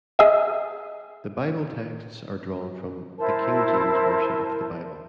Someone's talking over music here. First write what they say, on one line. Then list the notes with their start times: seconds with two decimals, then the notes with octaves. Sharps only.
The Bible texts are drawn from the King James Version of the Bible.
0.19 G#4 D#5 E5
3.18 E4 A#4 C5 A5